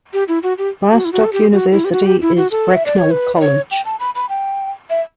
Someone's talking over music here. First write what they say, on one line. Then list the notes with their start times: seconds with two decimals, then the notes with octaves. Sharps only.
Barstock University is Bracknell College.
0.13 G4
0.28 E4
0.43 F#4
0.58 G4
0.92 F#4
1.05 E4
1.13 F#4
1.24 A4
1.33 G4
1.52 F#4
1.72 E4
1.85 G4
1.92 F#4
2.06 G4
2.22 E4
2.37 F#4
2.51 A4
2.73 E5
2.86 D5
2.99 C#5
3.11 B4
3.36 D5
3.40 C#5
3.71 G5
3.85 A5
4.00 B5
4.15 B5
4.29 G5
4.90 E5